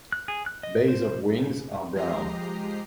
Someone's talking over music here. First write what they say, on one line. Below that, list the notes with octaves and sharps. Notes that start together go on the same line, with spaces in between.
Base of wings are brown.
F#6
G#4
F#6
D#5
C5
F3 G#3 G4 D#5 A#5 C7